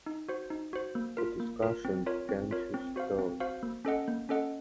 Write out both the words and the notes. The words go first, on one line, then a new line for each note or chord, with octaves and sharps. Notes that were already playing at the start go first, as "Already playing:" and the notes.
The discussion began to stall.
D#4
F#4 C5
D#4
F#4 C5
A#3
F4 A#4
A#3
F4 A#4
C4
F4 A#4 C#5
C4
F4 A#4 C#5
C4
F#4 C5 F5
C4
F#4 C5 F5
A#3
C#4 A4 D#5 F#5
A#3
C#4 A4 D#5 F#5